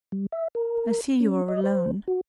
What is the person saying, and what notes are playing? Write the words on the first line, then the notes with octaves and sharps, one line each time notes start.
I see you are alone.
G3
E5
A#4
C#4
D#5
C5
F#4